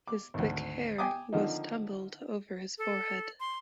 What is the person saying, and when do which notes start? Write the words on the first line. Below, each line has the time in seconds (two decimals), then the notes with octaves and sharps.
His thick hair was tumbled over his forehead.
0.07 D6
0.34 G#1 D2
0.98 G5 G#5 D6 D#6
1.33 D3 D#3 F3 C4 D#4
2.78 A4
3.40 C6